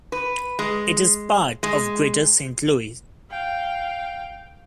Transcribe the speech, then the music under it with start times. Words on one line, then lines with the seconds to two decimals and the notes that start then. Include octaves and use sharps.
It is part of Greater Saint Louis.
0.12 B4
0.59 G#3
1.63 G#3
3.30 F5 G5